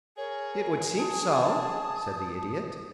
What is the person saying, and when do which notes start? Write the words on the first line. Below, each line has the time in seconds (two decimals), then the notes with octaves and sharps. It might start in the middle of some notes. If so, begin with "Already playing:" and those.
"It would seem so," said the Idiot.
0.17 G#4 A#4 C#5
0.98 A5 D#6